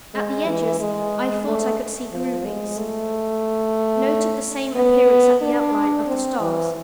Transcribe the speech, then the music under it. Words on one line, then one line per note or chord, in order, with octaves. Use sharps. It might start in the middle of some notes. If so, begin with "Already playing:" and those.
At the edges I thought I could see groovings; noted the same appearances at the outlines of the Stars.
G#3
E3
G#3
A3
F3
G#3
A3
B3
D4
C4
E3